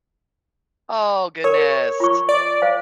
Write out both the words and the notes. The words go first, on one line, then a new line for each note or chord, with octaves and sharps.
Oh, goodness!
A#4 C#5
F4 C#6
D5
C5 F5